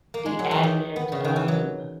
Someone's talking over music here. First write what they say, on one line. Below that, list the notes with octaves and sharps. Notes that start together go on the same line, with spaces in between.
the advent of
A#3
G#3
F#3
E3
D#3
B3
C#3
D#3
E3
F#3